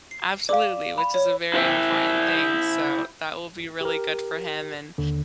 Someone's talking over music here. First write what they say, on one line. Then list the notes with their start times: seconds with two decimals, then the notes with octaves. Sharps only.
Absolutely, which is a very important thing, so, that will be really good for him and
0.11 C7
0.49 D5 F5 D6
0.98 B5
1.14 C#5
1.54 E4 C5 E5
3.81 G4 A#4
4.98 D#2 D3